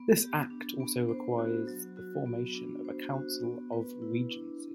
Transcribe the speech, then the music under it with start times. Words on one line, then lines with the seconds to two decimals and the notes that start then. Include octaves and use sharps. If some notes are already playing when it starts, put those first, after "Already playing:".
This Act also required the formation of a Council of Regency.
Already playing: B3
0.21 G4
0.50 D4
0.80 B3
1.09 C5
1.38 F#4
1.67 F#3
1.97 F#4
2.26 B3
2.55 D4
2.85 C5
3.14 F#4
3.43 B3
3.73 B4
4.02 E4
4.31 D4